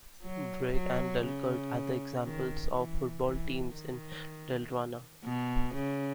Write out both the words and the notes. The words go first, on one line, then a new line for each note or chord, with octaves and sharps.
Brage and Dalkurd are examples of football teams in Dalarna.
F#3
F#3
C#3
D#3
E3
E3
D#3
B2
C#3